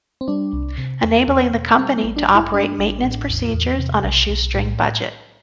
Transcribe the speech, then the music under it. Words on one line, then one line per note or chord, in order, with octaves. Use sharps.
Enabling the company to operate maintenance procedures on a 'shoe string' budget.
C4
G3 D4
C2
C3
E2
E2
B2
G3 C4
B3
A1
D4
G2
E4
G3 D4
A1
A2
E2
E2
C3
B1
B1
A2